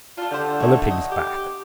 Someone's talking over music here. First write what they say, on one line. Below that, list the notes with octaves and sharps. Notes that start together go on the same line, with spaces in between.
On the pig's back.
D4 F4 A4
D3 G3 G4 C5 F#5
A3 A#3
D#5
G4